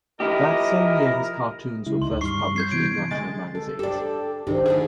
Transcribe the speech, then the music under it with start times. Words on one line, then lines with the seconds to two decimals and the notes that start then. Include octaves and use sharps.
That same year his cartoons were first published in national magazines.
0.20 F3 E4 G4 A#4 D#5
1.86 C#3 G#3 E4
2.02 D2 D#4 C6
2.21 G2 G3 C#6 F6 C7
2.56 G6 G#6 C7
2.71 C3 E3 B3 D7
3.11 D3 G#3 A6
3.55 A4
3.79 D4 G4 A4 D5
4.47 G#2 C3 D#3 D4 G4
4.66 D3 A3 E4 G#4